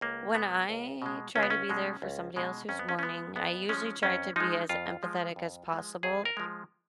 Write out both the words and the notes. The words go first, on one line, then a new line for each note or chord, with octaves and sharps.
When I try to be there for somebody else who's mourning, I usually try to be as empathetic as possible,
C#2 A#3
B2 G#3 B3
C#2
B2 G#3
C#2 C#4
B3
C#4
B2 G#3
C#2
B2 G#3
F2 C#4
B3
C#4
C#4
F3 G#3 B3
F2 B3
F3 G#3 C#4
F2 C#4
F3 G#3 D#4
F2 F4
F3 G#3
F2
F3 G#3
F2 G#4
A#4
F3 G#3